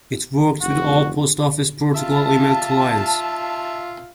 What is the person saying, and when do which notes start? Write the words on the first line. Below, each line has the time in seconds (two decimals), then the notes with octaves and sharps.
It worked with all Post Office Protocol email clients.
0.61 F1 F#4
1.95 F4 E5 F5 A5